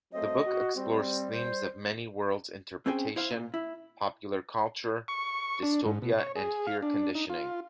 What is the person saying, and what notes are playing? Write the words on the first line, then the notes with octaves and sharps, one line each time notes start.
The book explores themes of Many-worlds interpretation, Popular culture, Dystopia and Fear conditioning.
F#3 A3 C4 D#5
F#4
G3 C4
C5
C4 C#4 G#4 C5 G5 G#5
E4 C5 F5
A#2
E4
C#6
D4
G#2
B2
C#5
G#4
F5
D4
D#4
F4